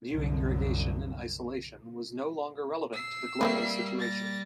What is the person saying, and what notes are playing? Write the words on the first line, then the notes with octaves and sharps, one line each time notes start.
Viewing irrigation in isolation was no longer relevant to the global situation.
C2 F#2 D3
E6 C7
G3 A3 A#3 C4 B4 D5
A6 A#6